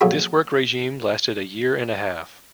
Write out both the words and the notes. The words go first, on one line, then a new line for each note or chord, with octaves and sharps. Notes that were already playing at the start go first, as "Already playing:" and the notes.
This work regime lasted a year and a half.
A#1 F#3 F#4 G#4 A4 B5